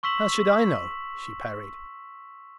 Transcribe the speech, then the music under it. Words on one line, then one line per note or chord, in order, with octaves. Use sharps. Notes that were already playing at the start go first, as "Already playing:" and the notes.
"How should I know?" she parried.
C6 C#6 E6 B6 E7 F#7